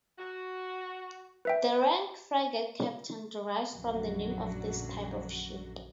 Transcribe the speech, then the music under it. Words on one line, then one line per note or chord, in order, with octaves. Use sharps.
The rank "frigate captain" derives from the name of this type of ship.
F#4
B4 E5 G5
A#1 F#2 D3 F#3 F#4